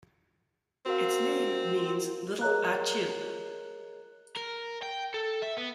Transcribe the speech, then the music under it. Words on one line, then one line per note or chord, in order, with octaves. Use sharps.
Its name means "Little Achill".
C4 F#4 A#4 F5
G#4 A#4 C#5 D#5 A#5 F#6
A#4
G5
A4
E5
B3